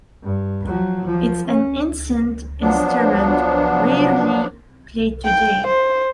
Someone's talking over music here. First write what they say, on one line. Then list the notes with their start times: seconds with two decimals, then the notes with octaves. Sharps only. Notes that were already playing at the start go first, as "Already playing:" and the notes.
It is an ancient instrument rarely played today.
0.24 G2
0.66 F3 F#3
1.05 F3
1.48 C#4
2.61 F3 F#3 B3 D4
5.25 G5
5.67 C5